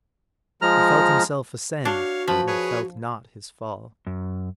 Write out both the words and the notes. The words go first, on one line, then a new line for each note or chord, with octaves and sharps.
He felt himself ascend, and felt not his fall.
F3 G#3 A#5 F6
D4 F#4 C#5 F5
F#2 F3 B4 B5
G#4 B4 C#5
F#2